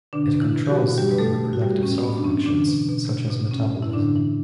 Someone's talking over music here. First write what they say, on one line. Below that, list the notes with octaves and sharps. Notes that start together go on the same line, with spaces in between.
It controls the non-reproductive cell functions, such as metabolism.
B2 D3 D4
B2
E3 E4
B2
G4
F#3 F#4
B2
B2 G3 G4
B4
B2 A3 A4
B2
F#4
B2 G3 G4
A2 C#4
A2 B3
D4
E3 C#4
D3 E3 D4
B2
B2
B2
B2
A2 C#4
A2
E4
A2 D3 D4
E3